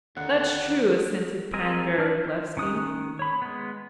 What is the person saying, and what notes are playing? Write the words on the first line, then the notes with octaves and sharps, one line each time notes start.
"That's true," assented Pan Vrublevsky.
D#2 D3 F#5
C4 G#4 A#4 D#5 G#5
D4 D5 F6
C5
D#3 C#4 D#6 F#6
C#5 B5
G#3 B3